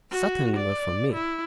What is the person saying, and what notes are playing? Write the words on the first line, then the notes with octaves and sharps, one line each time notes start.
Certainly not from me.
F#4
D5
E4